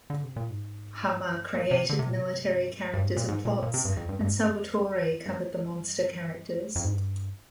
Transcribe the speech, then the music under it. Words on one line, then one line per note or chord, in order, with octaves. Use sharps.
Hama created the military characters and plots, and Salvatore covered the monster characters.
D3
C3
A#2
G#2
A#2
C3
D3
C3
A#2
C3
G2
G#2
A#2
G#2
A#2
A#2
C3
G2
F2
G2
G2
G#2
G2
F2
G2
F2
G#2
G2
F2
G#2
G2